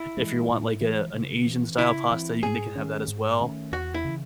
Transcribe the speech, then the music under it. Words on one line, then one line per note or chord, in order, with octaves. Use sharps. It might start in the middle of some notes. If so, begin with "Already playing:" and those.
if you want, like, a an Asian style pasta, you can they can have that as well,
Already playing: E4
E3 G#3
A2
E3 G#3
C#3
E3 C4
C#3 E4
E3 C4
G#2 G#4
D#3 A3 C#4
G#2
D#3 A3 C#4
E2 F#4
E4
C#3 E3